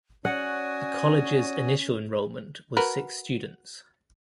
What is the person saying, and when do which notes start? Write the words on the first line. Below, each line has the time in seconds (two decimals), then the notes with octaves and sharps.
The college's initial enrollment was six students.
0.25 C#4 F#4 D5 F#5 G#5 D#6
2.77 F#4 A#4 B4